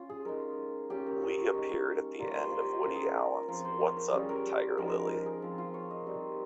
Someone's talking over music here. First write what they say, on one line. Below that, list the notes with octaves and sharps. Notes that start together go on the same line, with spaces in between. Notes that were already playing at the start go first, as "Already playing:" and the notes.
Lee appeared at the end of Woody Allen's What's Up, Tiger Lily?
Already playing: C#4 F4
G#4
G#3 D#4 A#4
A#3 C#4 F4 G4
A#4
C#5
C#5
G#3 D#4
G3 A#3 F4 A#4
C#5
C5
G4
F4
G4
G#3 C#4 F4 A#4
G#4
A#4
F3 C4 F4 A#4
C5
C#5
A#4
G3 C#4 F4 G#4
A#4
F3 G#3 D#4 A#4
A#4
A#4
G#4
F3 C4 F4
F4
C#5
D#5
G3 C4 D#4